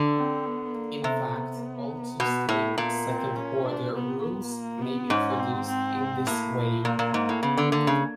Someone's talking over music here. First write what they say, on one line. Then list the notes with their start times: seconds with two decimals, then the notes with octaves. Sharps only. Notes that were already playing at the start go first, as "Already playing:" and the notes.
In fact, all two-state second-order rules may be produced in this way.
Already playing: D3
0.17 C4
0.45 B3
0.74 A#3
1.04 C3 B3
2.20 B2
2.49 A2
2.78 A#2 B3
3.07 C4
3.36 C#4
3.66 D4
3.94 B3
4.23 B3
4.52 A#3
4.82 B3
5.10 G#2 C#4
5.40 C4
5.68 C4
6.27 A2 A#3
6.84 A#2 A#3
6.99 A#2
7.14 G#2
7.29 A2
7.43 C#3 B3
7.57 D3
7.72 D3 A#3
7.87 C#3